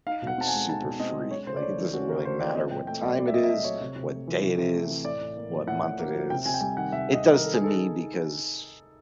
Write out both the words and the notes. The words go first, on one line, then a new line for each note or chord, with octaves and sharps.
like, super free. Like it doesn't really matter what time it is, what day it is, what month it is. It does to me because,
D#4 F5
B2
F#5
C4 A5
G#5
G#3
D#4 A5
B2
C4 D#5
G#3
C#4 C#5
C#3 C5
D5
A3 C#5
E3
C#4 F#4
C#3 A#4
A3 C5
E3 D5
C4 D#5
A#2 G5
A3 G5
F#3 D5
C4 D5
E5
A#2 D#5
E5
A3 D#5
F#3 C#5
C3
C3
A3
E3
C3
C3
A3
E3
A2 D5
A2
A#3
F3
A2 F#5
A2
A#3
F3
C3 G5
C3 G#5
G5
G3 G#5
D#3 F#5
C3 E5
C3
D#5
G3
A#4
D#3 A4
D#4 G#4
A4